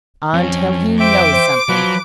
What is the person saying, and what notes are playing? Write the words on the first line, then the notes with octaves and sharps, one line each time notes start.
"Until he KNOWS something!"
F2 C#4
C5 E5 G5 D6
C5
F3 F#3 B4